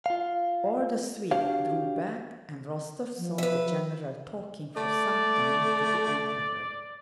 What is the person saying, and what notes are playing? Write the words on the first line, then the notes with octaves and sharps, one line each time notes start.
All the suite drew back and Rostov saw the general talking for some time to the Emperor.
F4 F5
D4 F#4 G4 C#5 F5
F3
B4 E5
A3 D5